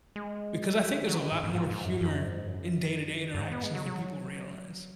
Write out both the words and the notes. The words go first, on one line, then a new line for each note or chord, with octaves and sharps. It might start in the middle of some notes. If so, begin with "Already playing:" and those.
because I think there's a lot more humor in day-to-day interactions than people realize.
G#3
F#3
D#3
G#2
G#2
G#2
G#2
F#2
F#2
G#2
F#2
F#2
G#2
B3
G#3
F#3
F#3